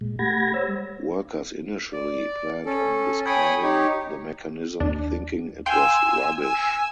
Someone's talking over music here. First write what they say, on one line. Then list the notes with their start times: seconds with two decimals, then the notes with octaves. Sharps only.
Workers initially planned on discarding the mechanism thinking it was rubbish.
0.01 A#2 G#3
0.19 A3 G4 F#5 B5 G#6 A#6
0.54 C5 C#5 E6
0.68 G3 G#3
1.93 D5
2.66 C#4 A4
3.26 C#5 G5 G#5 B5 D#6
3.63 D#4 G4 C#5
4.80 D#2 D4
5.66 F5 G5 G#5 C6 E6
6.41 G#5 E6